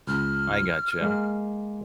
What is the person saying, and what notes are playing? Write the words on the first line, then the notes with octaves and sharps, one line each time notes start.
I gotcha.
C#2 F6
G#3 A#3